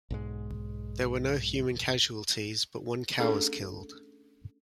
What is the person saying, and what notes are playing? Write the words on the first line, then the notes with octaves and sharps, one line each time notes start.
There were no human casualties, but one cow was killed.
B1 G#2 G#3
A3 C#4 D4 G#4 A4